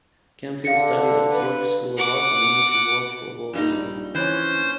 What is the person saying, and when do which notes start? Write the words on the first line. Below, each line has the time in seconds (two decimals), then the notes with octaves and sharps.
Camfield studied at York School of Art and aimed to work for Walt Disney.
0.65 D3 F5 C#7
1.32 B4
1.96 F#5 D6
3.53 A#1 G2 G3 D#4
4.15 E3 C#4 C5